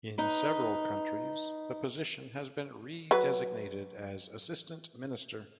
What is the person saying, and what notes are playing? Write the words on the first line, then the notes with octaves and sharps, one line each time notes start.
In several countries the position has been re-designated as assistant minister.
D#4 B4
F#3 B4